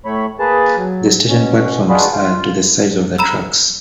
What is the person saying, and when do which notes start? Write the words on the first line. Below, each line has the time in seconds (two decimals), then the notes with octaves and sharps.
The station platforms are to the sides of the tracks.
0.05 A2 A3 C#5 B5
0.39 A#3 G#4 B4 A5
0.77 F#3
1.29 B2 C#4
1.89 G#3 D4 F4 F#4 G#4 B4
2.11 F4
3.18 A#5 B5 E6